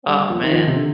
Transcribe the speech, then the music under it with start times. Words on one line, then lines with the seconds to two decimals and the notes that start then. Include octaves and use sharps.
Oh, man.
0.08 G3
0.30 F3
0.43 D#3
0.53 F3
0.67 C3
0.76 D3